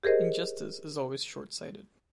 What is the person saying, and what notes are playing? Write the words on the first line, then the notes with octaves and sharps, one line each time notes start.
Injustice is always short-sighted.
G4 G#4 A#4 C5 D#5